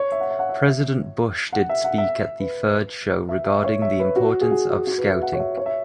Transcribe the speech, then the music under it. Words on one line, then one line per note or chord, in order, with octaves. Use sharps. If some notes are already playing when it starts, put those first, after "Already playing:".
President Bush did speak at the third show regarding the importance of Scouting.
Already playing: C#5
E5
F#5
E5
F#5
E5
E5
F#5
E5
F#5
E5
B4
E5
E5
C#5
E5
B4
F#4
G#4
F#4
G#4
F#4
B4
E5
F#5
C#5
E5
C#5
E5